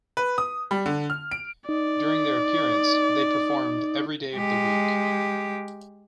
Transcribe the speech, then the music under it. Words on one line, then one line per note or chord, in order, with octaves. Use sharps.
During their appearance, they performed "Every Day of the Week".
B4
D#6
G3
D3
F6
D7
D#4 D5
G#3 G4